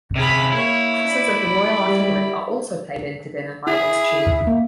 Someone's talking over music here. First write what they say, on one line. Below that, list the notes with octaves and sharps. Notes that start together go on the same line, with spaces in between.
Officers of the Royal Artillery are also played in to dinner by this tune.
C3 C#4 G#4 B5
A#3 E4 C#5
D5 B5
G3
E4 G#4 E5
A#3